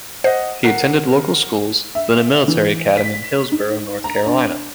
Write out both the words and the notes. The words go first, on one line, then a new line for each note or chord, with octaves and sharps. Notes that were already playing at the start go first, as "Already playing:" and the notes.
He attended local schools, then a military academy in Hillsboro, North Carolina.
C5 D#5 F#5
A#4 F#5 C7
E5
E3
B6
D#4
A#5
D4